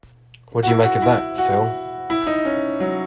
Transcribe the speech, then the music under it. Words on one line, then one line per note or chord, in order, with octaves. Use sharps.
What do you make of that, Phil?
F#4
E4
F#4
E4
F#4
E4
D#4
C#4
F#3